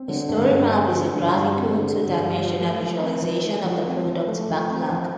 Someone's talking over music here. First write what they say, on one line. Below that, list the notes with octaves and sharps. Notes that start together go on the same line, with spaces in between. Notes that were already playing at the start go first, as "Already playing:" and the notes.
A story map is a graphical, two-dimensional visualization of the product backlog.
Already playing: C4
D3
G2
G3
C4
D3
G2
G3
C4
D3
G2
G3
F3
A3
F3
C4
F3
A3
F3
C4
F3
A3
F3
C4
F3